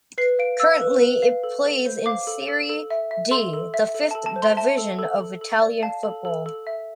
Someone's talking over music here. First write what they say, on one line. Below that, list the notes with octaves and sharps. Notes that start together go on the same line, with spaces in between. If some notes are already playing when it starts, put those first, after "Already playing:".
Currently it plays in Serie D, the fifth division of Italian football.
B4 C7
F5 D7
F5 E6
B4
B4
F5
A4
A4
C5
F5 D6
A4
A4
A4
E5
E5
A4 C6
A4
E5
A4
A4 A5
A5
C5
C6
E5 A5
A4
A4
A4
A4
D5
F5 A5
A4
A4
A4
E5